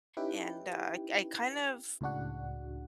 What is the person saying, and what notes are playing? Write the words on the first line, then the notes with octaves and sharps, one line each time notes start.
and I I kind of
C#4 D#4 E4 G4 B4 G5
C#2 A2 C#3 D4 F#4 F#5